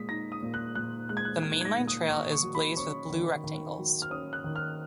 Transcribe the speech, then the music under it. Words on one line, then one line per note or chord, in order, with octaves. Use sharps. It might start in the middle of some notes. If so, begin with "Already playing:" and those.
The mainline trail is blazed with blue rectangles.
Already playing: A#2 G#3 D#6 B6
D#4 A#6
D#6
A#2
F#6
A#2 F#6
G#3 F#6
G#6
F#6
D#4 G#6
G#6
A#6
A#2
D#6
D#3 C#6
C#6
F#3
B5
C#4 C#6
D#3
D#3
F#3
F6
C#4 D#6
F#6
D#3
F6